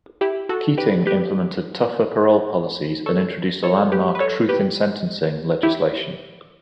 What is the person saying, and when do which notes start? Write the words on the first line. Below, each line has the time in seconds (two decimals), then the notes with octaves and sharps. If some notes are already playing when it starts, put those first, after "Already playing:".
Keating implemented tougher parole policies and introduced a landmark truth-in-sentencing legislation.
0.21 E4 G4
0.49 F#4 A4
0.78 G4 B4
1.07 G4 B4
3.06 A4 C#5
3.63 A4 C#5
3.92 G4 B4
4.15 B4
4.20 A4 C#5
4.49 G4 B4
5.63 E4 G4